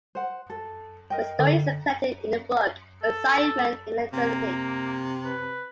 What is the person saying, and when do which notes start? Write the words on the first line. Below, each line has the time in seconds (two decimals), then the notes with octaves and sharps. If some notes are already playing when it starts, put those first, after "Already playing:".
The story is collected in the book "Assignment in Eternity".
0.15 C5 F#5
0.50 A4
1.10 A#4 D#5 G5
1.39 D3
3.03 A4
4.13 C3 A#3
5.25 B4